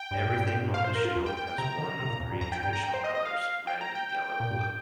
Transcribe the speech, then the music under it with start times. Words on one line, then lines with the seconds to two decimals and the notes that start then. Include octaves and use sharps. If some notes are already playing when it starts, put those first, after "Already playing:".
Everything on the shield has one of the three traditional colours: red, yellow, blue.
Already playing: G5
0.11 G2
0.24 A#2
0.37 G2
0.49 A#2
0.63 G2
0.74 A#2 F5
0.84 C5
0.89 G2
0.95 A#4
1.05 F4
1.16 F2
1.26 G5
1.37 G5
1.47 G5
1.58 C3 A#5
1.78 D#3
2.00 C3
2.10 A#2
2.20 F2
2.31 G2
2.41 F2 A#5
2.52 G5
2.62 G2 G5
2.73 A#5
2.83 G5
2.94 C5
3.04 D#5
3.15 D#5
3.25 F5
3.67 G5
3.81 A#5
3.95 G5
4.09 G5
4.40 A#2
4.51 G2